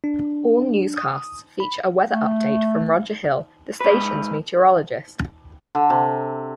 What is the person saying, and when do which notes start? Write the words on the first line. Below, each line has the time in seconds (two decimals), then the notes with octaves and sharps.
All newscasts feature a weather update from Roger Hill, the station's meteorologist.
0.04 D4
0.97 D#6
1.60 B5
2.11 A3
3.81 G#2 B4
5.75 D3
5.90 C3